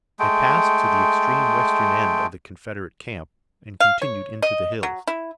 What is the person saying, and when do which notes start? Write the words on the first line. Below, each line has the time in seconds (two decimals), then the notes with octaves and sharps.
They passed to the extreme western end of the Confederate camp, and continued into the hills.
0.20 G#3 A3 G5
3.80 F5
4.02 C#5
4.42 D#5
4.83 F#3
5.07 E4